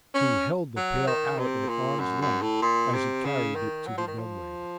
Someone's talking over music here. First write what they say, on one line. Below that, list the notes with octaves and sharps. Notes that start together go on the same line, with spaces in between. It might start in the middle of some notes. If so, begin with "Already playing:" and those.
He held the pail out at arm's-length as he carried it to the dumb-waiter.
C#4
F#3
D#3
C3
A#2
F#2
F#2
A2
A#2
C3
C#3
D#3
F#3
F3
D#3
F3